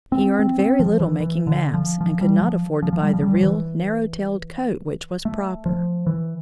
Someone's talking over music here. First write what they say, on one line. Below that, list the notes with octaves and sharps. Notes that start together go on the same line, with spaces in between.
He earned very little making maps and could not afford to buy the real, narrow-tailed coat which was proper.
C4
C4
C4
F3
E3
E3
D3
F3
F3
G3
F3
F3
F3
G3
F3
G3
F3
E3
A3
F3
E3